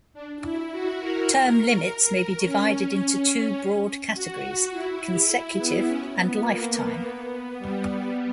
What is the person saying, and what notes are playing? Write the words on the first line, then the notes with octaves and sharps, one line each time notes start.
Term limits may be divided into two broad categories: consecutive and lifetime.
D4
E4
F#4
A#4
C#4
F#4
E4
B3
C#4
B3
A#3
A#3
B3
G3